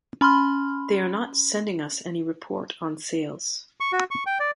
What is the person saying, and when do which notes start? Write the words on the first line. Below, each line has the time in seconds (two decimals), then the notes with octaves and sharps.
They are not sending us any report on sales.
0.21 C#4 B5 C6 F6
3.80 C#6
3.92 F#4
4.11 C#6
4.26 G5
4.40 D5